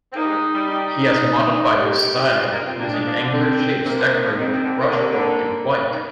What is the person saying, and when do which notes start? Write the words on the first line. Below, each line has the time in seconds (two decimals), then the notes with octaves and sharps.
He has modified this style, using angular shapes decorated with brushwork in white.
0.12 C4
0.15 A#3 D#4
0.23 G3
0.29 G#3
0.54 G3
0.68 D#4
1.74 D#3 G4
2.00 D#3
2.14 G3
2.26 G3 F4
2.40 G#3
2.53 A#3
2.67 C4
2.79 A#3 D4
2.93 G#3
3.05 F3
3.20 D3
3.32 C4
3.85 C3 A#3
3.99 D3
4.12 D#3
4.25 F3
4.38 D#3 C4
4.52 D#3
4.64 D3
4.78 D#3
4.89 D3 A#3
4.99 C3
5.10 D3
5.91 D#3